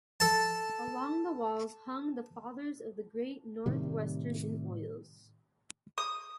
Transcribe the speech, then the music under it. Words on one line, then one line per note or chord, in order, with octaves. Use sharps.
Along the walls hung the fathers of the Great Northwestern in oils.
A4 A5
A2 C3 D#3 G3
D#6